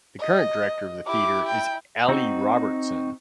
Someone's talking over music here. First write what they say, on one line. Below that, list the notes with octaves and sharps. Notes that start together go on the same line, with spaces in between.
The current director of the theatre is Ali Robertson.
D#5
E4 G4 D6
G5
C4 D#4 F#4